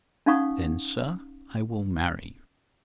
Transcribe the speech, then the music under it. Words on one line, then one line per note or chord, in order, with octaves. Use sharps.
"Then, sir, I will marry you."
C#4 D#4 F5 F#5 C#6 D#6